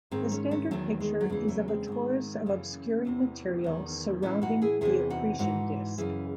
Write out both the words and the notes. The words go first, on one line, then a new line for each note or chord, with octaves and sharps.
The standard picture is of a torus of obscuring material surrounding the accretion disc.
G#2 D#3 G#3 C4
A3 C#4
A3 C#4
E2 D#3 F#3 A3
G#3
F#3
E2 C#3 E3 G#3
F#3 A3
G#3 C4
G#2 D#3
F#2 C#3 E3 A3 C#4
E2 C3 E3
E2 D#3
A2 E3 C#4 E4
D#4 F#4
E4 G#4
E2 C3 E3 E4 G#4
D#4 F#4
G#2 E3 D#4 F#4
F#2 C#3 E3 E4 G#4